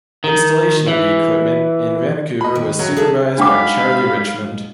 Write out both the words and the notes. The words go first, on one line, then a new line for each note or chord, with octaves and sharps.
Installation of the equipment in Vancouver was supervised by Charlie Richmond.
D#3
E3
D#5 B5
D#3
A2 F#3
G#4 A4 E5
G#3 D4 D#4 F#4 F5 G5 B5 D6